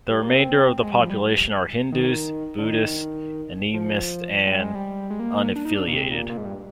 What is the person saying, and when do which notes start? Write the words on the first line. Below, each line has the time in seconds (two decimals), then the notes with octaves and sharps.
The remainder of the population are Hindus, Buddhists, animists, and unaffiliated.
0.10 G3
0.22 A#3
0.34 C4
0.83 G#3
0.92 G3
1.01 F3
1.10 G3
1.92 D#3
2.58 D3
2.65 D#3
3.74 F3
4.47 G3
4.61 G#3
4.75 G3
5.10 G#3
5.20 A#3
5.56 D4
5.65 D#4
5.74 D4
5.88 A#2
5.93 C3
6.11 A#2
6.29 A#2
6.37 G#2
6.45 G2